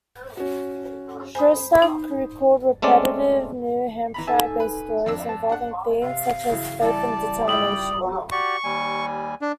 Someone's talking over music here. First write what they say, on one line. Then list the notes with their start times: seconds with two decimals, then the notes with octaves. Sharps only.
Shostak recalled repetitive New Hampshire-based stories involving themes such as faith and determination.
0.37 C#4 F#4
1.35 C5 G#5 B5 D#6
1.82 D#4
2.82 G#3 A3 C4 C#4 D5
4.14 E3 A#5 B5
4.27 D#4 A4 E5 G#5 A5
4.60 B4
5.06 F2 D4 E6
5.29 A5
5.49 D4 F#5
6.02 C3 F5
6.49 C#3 E3 F#3
6.82 E3 G3 D5 A5
7.48 E4 F4 E5 G5 D#6 F#7
8.32 F#4 G4 D5 C#6
8.64 D#2 G3 G#5
9.41 D4